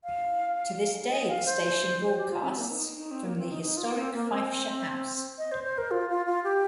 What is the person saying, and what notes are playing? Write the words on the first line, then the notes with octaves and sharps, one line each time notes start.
To this day the station broadcasts from the historic Fifeshire House.
F5
D#5
F5
C5
G4
F4
C4
A#3
D#4
D#4
C4
A#3
C4
D#4
D#4
F4
C4
A#3
C4
D#5
C5
C5
A#4
F4
F4
F4
G4